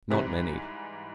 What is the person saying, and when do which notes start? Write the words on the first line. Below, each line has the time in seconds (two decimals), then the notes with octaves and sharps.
Not many!
0.10 G#2 C3 E3 G3